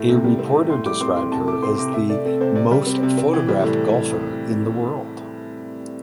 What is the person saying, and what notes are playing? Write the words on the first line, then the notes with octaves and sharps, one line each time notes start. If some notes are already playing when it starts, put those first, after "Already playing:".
A reporter described her as the "most photographed golfer in the world".
Already playing: A2
C3
G3
C4
C3
A2 C6
G3 D6
C4 C6
A2 C6
C3 A5
A3 D6
C4 C6
C3 D6
C3 E5
A3 D5
C4 A4
C3 C5
C3 D5
G3
C4
C3
C4
E3
G3
A2